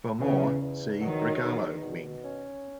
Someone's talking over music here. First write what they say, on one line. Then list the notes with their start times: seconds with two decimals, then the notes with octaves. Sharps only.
For more, see rogallo wing.
0.20 E2 C#3
0.60 E2
1.01 D#3 F#3
1.42 E2
1.82 B2
2.23 C#4